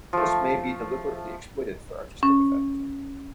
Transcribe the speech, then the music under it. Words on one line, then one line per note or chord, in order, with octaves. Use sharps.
This may be deliberately exploited for artistic effect.
F3 A3
C#4